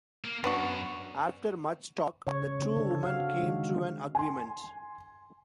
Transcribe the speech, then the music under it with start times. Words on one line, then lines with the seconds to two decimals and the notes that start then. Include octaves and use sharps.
After much talk, the two women came to an agreement.
0.25 A#3
0.44 F#2 B3 D4 F#4
2.27 C#3 C#5
2.59 D3 C4
2.77 D3 D4 A4
3.03 F#4 F5
3.40 D#3 G#3
4.15 G#5 C6